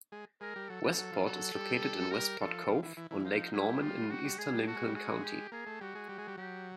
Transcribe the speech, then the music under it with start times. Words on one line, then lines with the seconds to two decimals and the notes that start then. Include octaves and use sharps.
Westport is located in Westport Cove on Lake Norman in eastern Lincoln County.
0.12 G#3
0.41 G#3 A#4
0.56 G3
0.69 F#3 A4
0.84 F#3
0.98 F#3
1.12 F3
1.26 F#3 A4
1.55 G3
2.11 G3 A#4
2.40 F3 A4
2.68 F3
2.83 E3
2.97 E3
3.11 E3
3.24 F3 D#4
3.53 F#3 E4
3.68 G3
3.81 F4
4.10 G3 F#4
4.24 G3
4.38 G#3 G#4
4.53 G3
4.67 A3 F#4
4.76 G#3
4.86 G3
4.95 G#3 F#4
5.24 G4
5.52 A#3 G#4
5.67 A3
5.81 G3 F#4
5.95 G#3
6.09 G3
6.18 G#3
6.28 G3
6.37 F#3 G4